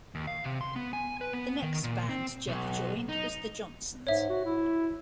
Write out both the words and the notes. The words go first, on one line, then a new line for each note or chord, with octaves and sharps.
The next band Jeff joined was The Johnsons.
D#2
F5
C3
C6
B3
G#5
B4
B3
D#3
A#2
C4
B1
D#4
G#2 C#5 E5
F#4
E4